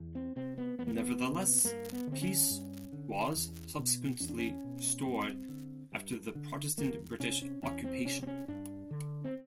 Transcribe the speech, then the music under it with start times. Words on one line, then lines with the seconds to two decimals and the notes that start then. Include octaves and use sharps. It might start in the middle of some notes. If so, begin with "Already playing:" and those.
Nevertheless, peace was subsequently restored after the Protestant British occupation.
Already playing: E2
0.15 C4
0.36 C3 C4
0.58 B3
0.79 E2 B3
0.87 A#3
0.95 B3
1.22 C3
1.64 G2 A#3
1.92 B3
2.07 D3 C4
2.22 C#4
2.50 G2
2.92 D3
3.35 E2
3.79 B2
4.20 E2 C#4
4.29 D4
4.38 C#4
4.64 B2
5.06 G2 C4
5.49 D3
5.92 G2
6.35 D3
6.77 E2 A#3
7.20 C3 C#4
7.42 C#4
7.62 E2 C#4
7.84 C4
8.05 C3 C#4
8.23 C4
8.27 C#4
8.48 G2 D4
8.91 D3
9.24 C4